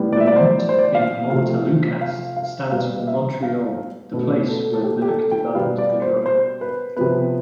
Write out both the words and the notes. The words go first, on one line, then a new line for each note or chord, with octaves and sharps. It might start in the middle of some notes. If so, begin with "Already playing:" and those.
The "Mont" in Montelukast stands for Montreal, the place where Merck developed the drug.
Already playing: A2 G3 B3
D5
E5
D5
C5
D5
C5
D5
F5
C3 F3 A3 F5
F5
F5
B2 G3 B3 F5
E5
F5
B2 A3 B4
A4
A4
G4
G4
A4
G5
B2 G3 B3 F5
D5
C5
C5
B4
C3 F3 B3 B4